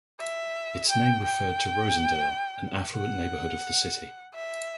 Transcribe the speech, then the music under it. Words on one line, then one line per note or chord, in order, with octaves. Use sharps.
Its name referred to Rosedale, an affluent neighbourhood of the city.
E5
G5
G5
F#5
E5